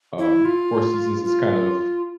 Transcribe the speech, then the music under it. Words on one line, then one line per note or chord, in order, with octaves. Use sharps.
um, four seasons is kind of
E4
F4
F4